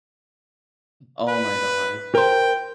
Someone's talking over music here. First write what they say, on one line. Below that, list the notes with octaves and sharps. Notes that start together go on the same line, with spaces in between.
Oh my gosh.
B4
A#4 C5 G5